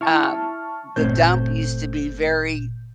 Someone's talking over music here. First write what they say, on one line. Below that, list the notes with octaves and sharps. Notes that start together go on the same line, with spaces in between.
um, the dump used to be very
E4 A5 C#6 F6
G1 A#2 A3 C4 C#5 G6